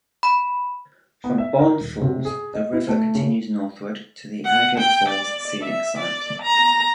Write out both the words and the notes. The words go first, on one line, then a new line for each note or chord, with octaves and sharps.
From Bond Falls, the river continues northward to the Agate Falls Scenic Site.
B5
B3
E5
A#4
D#1
C3
G#4
D#5
E4
A3
C#3
F#5
G5
D5
E5
D5
A#5